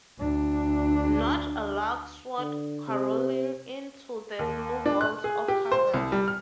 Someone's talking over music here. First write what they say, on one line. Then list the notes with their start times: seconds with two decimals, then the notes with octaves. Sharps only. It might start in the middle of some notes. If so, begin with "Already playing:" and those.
Not a lark soared carolling into the blue vault of heaven.
0.19 D2 D4
2.39 D3
2.88 C3
4.39 D#2
4.86 D4
5.01 F#6
5.24 G#4
5.48 G4
5.72 C5
5.94 C2
6.12 G3
6.28 F6